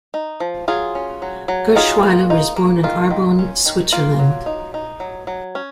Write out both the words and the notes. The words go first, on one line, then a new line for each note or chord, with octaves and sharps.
Gerschwiler was born in Arbon, Switzerland.
D#4
F3
F#3 F4 G#4
C#4
F#3
F#3
D#4 F4 G#4
A#3
D#4
A#3
D#3 F4
D#3
C#4
D#3
A#3 F4
F#3
D#4
D#4
F#3
F#3
C#4